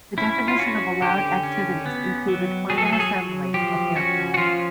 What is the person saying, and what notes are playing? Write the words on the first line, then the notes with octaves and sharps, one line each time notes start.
The definition of allowed activities included final assembly of aircraft.
C#4 E4
F4
C#4 F#4
D3 G4
C#4
B3
F#3
F#3 G#4
A4
G#4
A4
G#4
F#3
F3 G4
C#4 F#4
F#4
F3 F4